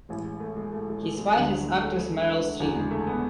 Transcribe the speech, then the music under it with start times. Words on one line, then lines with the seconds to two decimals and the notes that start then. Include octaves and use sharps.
His wife is actress Meryl Streep.
0.09 A1 A2 E3 G#3
0.40 A3
0.56 G#3
0.73 A3
0.88 G#3
1.03 G#3
1.18 G#3
1.35 D2 D3 F#3
1.51 F#3
1.66 G#3
1.81 A3
1.98 G#3
2.60 F#1 E2 D3 F#3
2.76 G#3
2.91 A3
3.07 B3